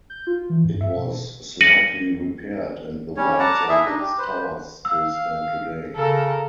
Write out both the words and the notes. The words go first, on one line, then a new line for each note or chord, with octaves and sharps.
It was slightly repaired and the walls and its towers still stand today.
G6
F4
E3
G2
E5
B2
A#6 C#7 D#7 F#7
G3 C#4 C#5
D5 F#5 A5 A#5
E4 G#4 E5
D4 D#4 D#5
G4
B4 C5
F5 E6
C#3 A4 A#4